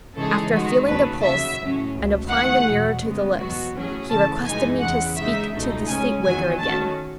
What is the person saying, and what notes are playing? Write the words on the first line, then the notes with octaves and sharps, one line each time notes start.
After feeling the pulse and applying a mirror to the lips, he requested me to speak to the sleep-waker again.
C#3 E3 G#3 D#4 G#4 A4
D#3 G#3 D#4 F#4
D#2 C#3 F#3 A3 C#4 B4
C#3 F#3 B3 E5
A2 F#3 C#4
C#2 B2 A3
D#3 A3 E4 G#4 F#5
E2 B2 F#3
C#3 G#3 B3
E2 B2 F#3 B3 F#4
A2 F#3 C#4 G#4
C#3 E3 A3 A5
F#2 E3 G#3 D#4 G#5
E2 C#3 G#3 F#5
C#3 G#3 D#4 E5
C#2 B2 A3 D#4
C#2 C#3 G#3 C#4 G#5
E2 D#3 F#3 B3 G#5
D#3 A3 C#4 F#4 A5